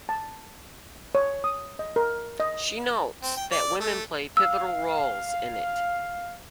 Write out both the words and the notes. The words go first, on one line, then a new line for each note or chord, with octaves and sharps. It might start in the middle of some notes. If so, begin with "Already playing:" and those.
She notes that women play pivotal roles in it.
A5
C#5
D#6
D#5
A#4
D#5
C4
G5
D5
A3
F5 E6